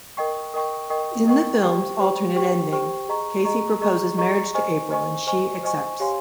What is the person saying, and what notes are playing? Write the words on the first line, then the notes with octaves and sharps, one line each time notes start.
In the film's alternate ending, Casey proposes marriage to April and she accepts.
A#4 D#5 G5 C#6
A#4 D#5 G5 C#6
A#4 D#5 G5 C#6
A#4 D#5 G5 C#6
G4 C5 G5 C#6
G4 C5 G5 C#6
G4 C5 G5 C#6
G4 C5 G5 C#6
G#4 D#5 A#5 C#6
G#4 D#5 A#5 C#6
G#4 D#5 A#5 C#6
G#4 D#5 A#5 C#6
C5 D#5 G#5 C#6
C5 D#5 G#5 C#6
C5 D#5 G#5 C#6
C5 D#5 G#5 C#6
G4 C#5 F5 G#5 C6